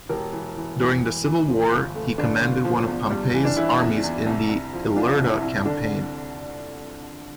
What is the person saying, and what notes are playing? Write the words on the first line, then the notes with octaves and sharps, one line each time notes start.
During the civil war he commanded one of Pompey's armies in the Ilerda campaign.
E1 G4 A#4
E3
E3
E3
E3
E3
F3
G1
A3
G1 D4
G1
F3
E2
G3
E3
D4
E3 E4
E2
E2
C2
C2
F3
F3 D4 F4
C2
E4
C2
D3 D4